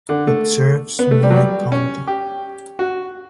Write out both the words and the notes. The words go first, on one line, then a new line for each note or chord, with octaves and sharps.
It serves Maury County.
D3
A3
B3
A3
G3
F#3
G3
C#4
G4
F#4